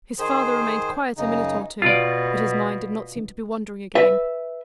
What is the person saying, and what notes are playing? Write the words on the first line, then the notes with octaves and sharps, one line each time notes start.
His father remained quiet a minute or two, but his mind did not seem to be wandering again.
D#3 G#4 C5
F#2 C#3 D#4
B2 F4 D5
B4 E5